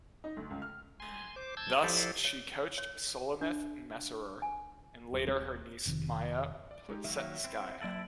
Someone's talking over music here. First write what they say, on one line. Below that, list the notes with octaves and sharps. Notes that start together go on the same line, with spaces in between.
Thus she coached Sulamith Messerer and later her niece Maya Plisetskaya.
D#4
D2
C#2
F6
G#5 C6
C5 D6
A5 E6 G6 G#6
F3 E4 G4 A4 C5 D5
C#5
C#5
D4
G#5
D#1 C4
F1 C3 D#3
D5
G#3 D#4 G4
D#3 F#3 A#3 E5
C4 E4
F#3 C4 E4 A4 D7 F#7